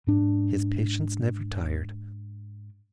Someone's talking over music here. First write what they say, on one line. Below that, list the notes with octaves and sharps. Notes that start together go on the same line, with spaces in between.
His patience never tired.
G#2 D4